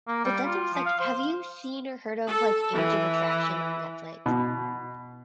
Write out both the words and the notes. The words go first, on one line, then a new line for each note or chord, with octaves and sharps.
but then there's, like, have you seen or heard of, like, Age of Attraction on Netflix?
A#3
G3
F4
F3
F5
C5
A4
E3
B2